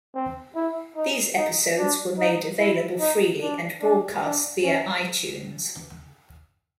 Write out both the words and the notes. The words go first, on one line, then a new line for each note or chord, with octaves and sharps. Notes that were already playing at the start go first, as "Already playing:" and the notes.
These episodes were made available freely and broadcast via iTunes.
C4
E4
D#4
D#4
D4
D#4
E4
D#4
D4
D4
D4
C#4